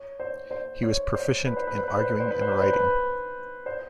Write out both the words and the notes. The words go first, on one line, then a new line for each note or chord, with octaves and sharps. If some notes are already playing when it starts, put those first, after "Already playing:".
He was proficient in arguing and writing.
Already playing: C#5
C5
C5
C#5
C5
B4
C5
B4
C5
B4
C5
B4
C5
B4
C5
B4
C5
B4
C5